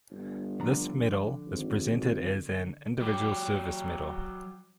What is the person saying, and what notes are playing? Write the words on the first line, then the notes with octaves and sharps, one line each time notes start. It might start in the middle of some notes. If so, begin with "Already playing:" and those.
This medal is presented as an individual service medal.
G1
D3 F3 A#5
G#1
F#3 G4